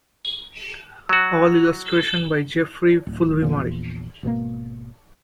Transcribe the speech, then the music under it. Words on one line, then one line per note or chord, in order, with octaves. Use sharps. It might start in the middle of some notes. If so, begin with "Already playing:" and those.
All illustration by Jeffrey Fulvimari.
F#3 F#4
D1
A#1 E2 A#2
G#1 B2 F3 A#3